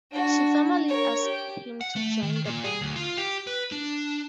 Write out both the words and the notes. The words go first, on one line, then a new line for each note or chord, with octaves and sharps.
She formally asked him to join the band.
D4 F#4
A#4 C#5
G4
F#5
A3
D#3
A#2
G#4
D2
F4
G4
B4
D4